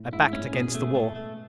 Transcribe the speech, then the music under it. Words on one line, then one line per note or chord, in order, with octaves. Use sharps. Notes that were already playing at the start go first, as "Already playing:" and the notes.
I backed against the wall.
Already playing: A2
G#2 E4
A2 C#4
B2 G#4
A3
A3
A3